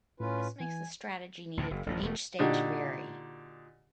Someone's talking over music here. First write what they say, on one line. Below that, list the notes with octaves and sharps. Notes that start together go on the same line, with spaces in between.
This makes the strategy needed for each stage vary.
A2 C#4 F4 B4
E3 G#5
D2 A2 D3
F#1
A1 F#2 F3
E1 A3
A#2 D3 D4 D#4 F#4 G4